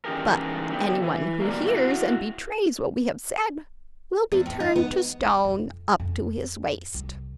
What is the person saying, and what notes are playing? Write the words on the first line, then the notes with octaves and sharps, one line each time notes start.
But anyone who hears and betrays what we have said will be turned to stone up to his waist.'
E3 C#4 D#4 G4 G#4 A#4
D3 B3 G4
E3
B2 D3 F3 G3 A#3
E4 F#4
E2
A2
D#4
B3
C4
F2
F2
C2